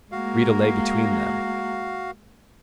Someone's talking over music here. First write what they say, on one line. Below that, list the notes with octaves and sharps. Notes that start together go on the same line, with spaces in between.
Rita lay between them.
G#3 A#3 F#4 F5